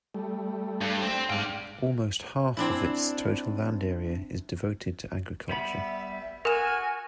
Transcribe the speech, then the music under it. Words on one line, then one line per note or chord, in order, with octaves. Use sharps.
Almost half of its total land area is devoted to agriculture.
G3 A3
G2
C4
G#2 D4 F5 G5
C4 D4 E4
G3 B3 E5 B5
F#4 A#4 G#5 F6 E7